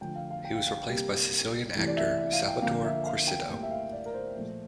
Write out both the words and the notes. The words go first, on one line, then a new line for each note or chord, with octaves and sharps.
He was replaced by Sicilian actor Salvatore Corsitto.
D3 F3 A3 G5
F5
F5
G5
F5
F5
G5
C3 G3 A#3
C3 E3 A3
D5
E5
E5
F5
G5
D3 F3 A#3 F5
E5
F5
G5
A2 G3 A#3 G5
E5
F5
D5
A#4
C5
A#2 F3 A3